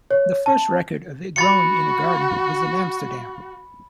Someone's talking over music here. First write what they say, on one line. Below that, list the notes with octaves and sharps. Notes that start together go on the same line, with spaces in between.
The first record of it growing in a garden was in Amsterdam.
C#5
A5
F#4 B5 A6 C#7